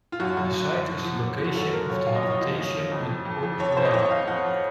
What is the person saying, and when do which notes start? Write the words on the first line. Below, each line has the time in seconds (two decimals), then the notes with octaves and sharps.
The site is the location of the Habitation at Port-Royal.
0.12 F4
0.20 F#2 F#4
0.37 F#2
0.54 F#2
0.71 F#2
0.88 F3
1.05 F3
1.22 F3
1.39 F3
1.44 F#4
1.55 F#2 A4
1.73 F3 A#4
1.90 F#2 C#5
2.07 F#2 F5
2.15 D#5
2.23 F3 C#5
2.31 D#5
2.41 F3
2.57 F#2
2.75 F3
2.92 F2
3.09 F3
3.25 F2
3.43 F3
3.60 F2 C#5
3.72 C#5
3.77 F2 C5
3.85 D#5
3.94 F2 C#5
4.03 D#5
4.11 F2 F5
4.28 F2 F#5
4.45 F2